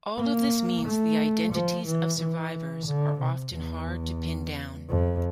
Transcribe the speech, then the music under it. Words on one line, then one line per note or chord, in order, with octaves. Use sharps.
All of this means the identities of survivors are often hard to pin down.
A#3
A3
F3
E3
E3
D3
C3
E2
F2